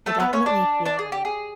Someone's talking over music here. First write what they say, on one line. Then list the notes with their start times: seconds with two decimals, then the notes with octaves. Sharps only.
I definitely feel like,
0.06 A3 A4
0.20 B3 B4
0.33 C#4 C#5
0.46 D4 D5
0.85 D4 D5
0.99 G#4
1.12 G4
1.25 G#4